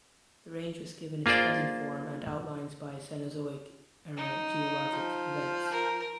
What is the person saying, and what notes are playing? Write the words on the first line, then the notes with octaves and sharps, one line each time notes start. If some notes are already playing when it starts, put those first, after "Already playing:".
The range was given its present form and outlines by Cenozoic era geologic events.
A#3 F4 G#4 C5 D5
D#4
F3
A#4